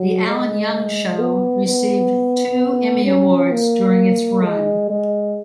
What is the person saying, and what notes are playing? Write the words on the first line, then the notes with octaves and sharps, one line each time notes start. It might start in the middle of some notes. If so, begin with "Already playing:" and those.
"The Alan Young Show" received two Emmy Awards during its run.
Already playing: F#3
G#3
B3
B3
C#4
A#3
G#3
G#3